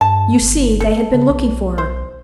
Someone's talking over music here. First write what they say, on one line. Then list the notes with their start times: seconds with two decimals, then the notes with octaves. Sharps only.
You see, they had been looking for her.
0.01 G2 A5
0.41 G1
0.80 A4
1.14 C#3
1.30 B1
1.78 C5